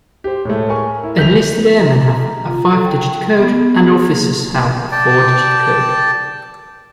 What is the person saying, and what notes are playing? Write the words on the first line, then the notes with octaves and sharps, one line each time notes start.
Enlisted airmen have a five digit code, and officers have a four digit code.
G4 C5
A2 G#3 A3
A#4 G#5 C#6
E4
B1 G6 B6 F7
A#5
A#5
F4
A4
G5
B3
G#4
A#3
D5 G5 A5